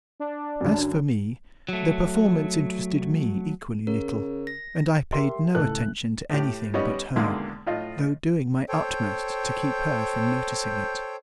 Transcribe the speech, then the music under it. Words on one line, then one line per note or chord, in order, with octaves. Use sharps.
As for me, the performance interested me equally little, and I paid no attention to anything but her, though doing my utmost to keep her from noticing it.
D4
F#2 D3
F#3 A3
C#3 A#4
A#6
G4 A#4 E5 C6
C#2 A2 A4 A5 F#6
A2 G4
G3 B3 C#4 D5 D#5
E2 B2 D3 D#3 G#3 A#3
A2 F4 D#5
A4 C5 C#5 G5